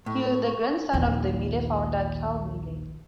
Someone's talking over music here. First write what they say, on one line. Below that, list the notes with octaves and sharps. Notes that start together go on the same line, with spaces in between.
He was the grandson of the Miele founder Carl Miele.
A2 C#6
A#1 D#2